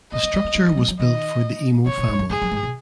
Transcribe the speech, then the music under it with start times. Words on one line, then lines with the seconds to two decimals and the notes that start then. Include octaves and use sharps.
The structure was built for the Emo family.
0.12 B3 D#5
0.23 B3
0.34 B3
0.45 B3
0.55 B3
0.67 B3
0.72 F#3
0.77 G#3
0.88 F#3
0.99 D#3 D#5
1.86 C#3 C#5
1.98 B2
2.08 G#2
2.19 F#2
2.30 G#2 G#4
2.42 F#2
2.52 G#2
2.63 B2